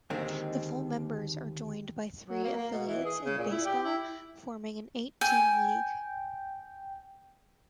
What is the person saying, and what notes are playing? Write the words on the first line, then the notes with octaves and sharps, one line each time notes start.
The full members are joined by three affiliates in baseball, forming an eight-team league.
D#2 D3 D#3 G#3 C4
F#3
A#3
A#3
B2
E3
G#4
C#3
A#2
E4
G4
E4
G5 G#5